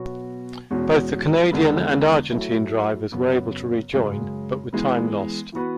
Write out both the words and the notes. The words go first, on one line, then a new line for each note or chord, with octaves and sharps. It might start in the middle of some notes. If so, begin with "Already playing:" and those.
Both the Canadian and Argentine drivers were able to rejoin, but with time lost.
Already playing: B2 F#3 B3 F#4 C#5
E2 B2 G#3 C#4 F#4
E2 D3 G#3 B3
F#3 A3 E4
F#2 C#3 F#3 B3
F#2 C#3 G#3
E3 G#3 B3
E3 B3 F#4 B4